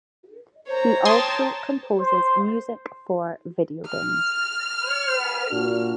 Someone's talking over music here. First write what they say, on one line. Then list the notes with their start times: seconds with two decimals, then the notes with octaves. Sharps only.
He also composes music for videogames.
0.67 C5 C#5 A#5
1.05 G5 A5 C6 D#6 G#6
1.98 C5
3.86 F6
5.51 A#2 D4 F#4